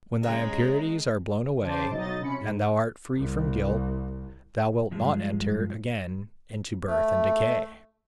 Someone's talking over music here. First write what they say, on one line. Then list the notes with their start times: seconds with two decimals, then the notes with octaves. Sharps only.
When thy impurities are blown away, and thou art free from guilt, thou wilt not enter again into birth and decay.
0.23 C#3 G#3 C#5 D#5 A#5
1.62 C#3 C5 A5 D6
1.90 B1 F#3 D#4 D#5 A6
2.20 C3 C#4 B5 C#7
2.41 G#2
3.14 C2
4.91 G2 F3 G#3
6.87 A3